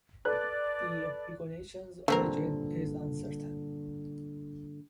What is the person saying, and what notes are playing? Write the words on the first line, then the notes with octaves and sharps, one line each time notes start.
The epigonation's origin is uncertain.
A4 B4 D5 F#6
G2 A#2 D3 A3 C4 A#4